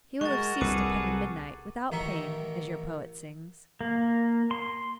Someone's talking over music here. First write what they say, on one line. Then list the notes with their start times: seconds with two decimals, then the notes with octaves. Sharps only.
He will have ceased upon the midnight without pain, as your poet sings.'
0.21 G#3 F#4 A#4 C#6 A6
0.61 C2 G#4 A4 B4 D6
1.92 A1 D#3 D#4 E5 C#6
3.81 A#3
4.51 C6